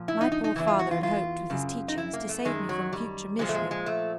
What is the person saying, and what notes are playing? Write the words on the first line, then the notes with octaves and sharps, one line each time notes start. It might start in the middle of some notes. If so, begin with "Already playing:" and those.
My poor father had hoped, with his teachings, to save me from future misery.
Already playing: A#2 F3
E4
D#4
D#4
D#4
E2 C#3 E3 E4
F4
F#4
F4
F4
F#2 C#3
D#4
E4
A#3
A3
F#2 D#3 G#3
F#3
G3
A#2 F3 G#3
A3
G#3
G#3
A3